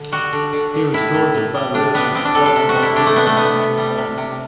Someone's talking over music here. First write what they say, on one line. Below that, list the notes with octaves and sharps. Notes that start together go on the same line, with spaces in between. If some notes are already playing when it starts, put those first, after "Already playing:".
He restored the federation to profitability and financial solvency.
Already playing: D3
G3 F#4
D3
D3
D3
A2 E4
A2
A2
G3
A2 D4
G3 B3
G3 C4
D4
G3 A4
A4
C3
F#4
G3
E4
G3 D4
A3
C3 B3
A3
G3 B3
C3
G3
C3
C3